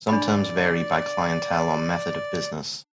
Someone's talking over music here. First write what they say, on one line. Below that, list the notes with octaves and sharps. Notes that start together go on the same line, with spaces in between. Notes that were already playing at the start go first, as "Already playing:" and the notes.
Some terms vary by clientele or method of business.
D4 D5 B5